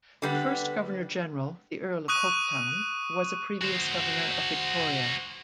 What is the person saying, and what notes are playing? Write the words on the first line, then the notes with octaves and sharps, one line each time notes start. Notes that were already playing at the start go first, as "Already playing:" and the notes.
The first Governor-General, the Earl of Hopetoun, was a previous Governor of Victoria.
D3 G3 B3
C#6 D#6 F#6 D#7
F#4 C5